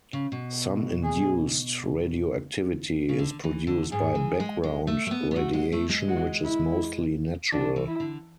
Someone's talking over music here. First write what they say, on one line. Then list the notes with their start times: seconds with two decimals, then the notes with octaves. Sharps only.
Some induced radioactivity is produced by background radiation, which is mostly natural.
0.13 C#3
0.32 B2
1.03 G#4
3.09 C#3
3.19 D3
3.44 E3
3.67 D3
3.91 G#2 G#4
4.15 E3
4.40 G#3
4.64 G#3
4.87 A3
5.07 A3
5.11 B3
5.31 B3
5.36 A3 F#4
5.53 G#3
5.72 A3
5.89 G#3
6.08 F#4
6.43 E4
7.52 E3 D4
7.76 E3
7.87 E4
8.00 D3